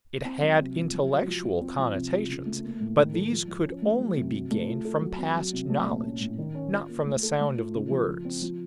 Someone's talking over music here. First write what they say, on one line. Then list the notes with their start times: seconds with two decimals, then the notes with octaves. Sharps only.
It had intellectual connotations, but these could only be gained from past knowledge, not from the sound of the words.
0.25 C4
0.42 F#3
0.59 C3
0.76 F3
0.92 F#3
1.09 F#4
1.27 F3
1.43 F3
1.61 C4
1.78 F3
1.94 C3
2.12 F4
2.29 C#3
2.46 A3
2.63 A#3
2.80 A2
2.98 D#3
3.14 A4
3.32 F3
3.48 F3
3.65 C#4
3.82 A3
4.00 F#3
4.16 C3
4.33 F#3
4.51 A3
4.68 F4
4.85 A4
5.01 F#3
5.19 C4
5.36 F#3
5.53 C3
5.70 A3
5.87 A#2
6.03 C#4
6.20 A2
6.38 D#3
6.55 C#4
6.72 F4
6.89 A#3
7.06 A3
7.23 A4
7.40 A3
7.56 F4
7.75 C#3
7.90 F3
8.08 F3
8.25 C4
8.42 F3